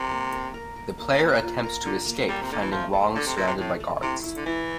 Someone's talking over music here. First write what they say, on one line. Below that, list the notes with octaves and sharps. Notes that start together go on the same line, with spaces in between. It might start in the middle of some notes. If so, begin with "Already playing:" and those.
The player attempts to escape, finding Wong surrounded by guards.
Already playing: C3 A#4
A#3
A#4
A#4
A#4
A#3
A#3
F4
A#4
D3 F4
A#3
G3 A#3
C3
D3 A#3
E3
F3 A3
A4
D3 A4
C3
A#2 A4
C3
A2 A3
A3
C3 E4
E4
D3
E3 E4